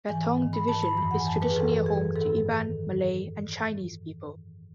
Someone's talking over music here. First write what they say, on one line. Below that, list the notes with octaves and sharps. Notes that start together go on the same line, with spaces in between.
Betong division is traditionally a home to Iban, Malay and Chinese people.
G#2 E3 G#5
G#2 D#3
B5
G#2 D#3 A5
B5
F#2 E3 B5
F#5
G#5
F#2 E3 A5
B4
G#4
F#2 E3 A4
F#2 E3 G#4
G#2 D#3 A4
D#3